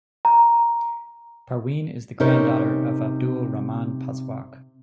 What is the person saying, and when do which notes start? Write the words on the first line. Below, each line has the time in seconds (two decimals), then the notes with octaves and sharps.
Parween is the grand daughter of Abdul Rahman Pazhwak.
0.25 A#5
2.20 C3 C#4 D#4 A#4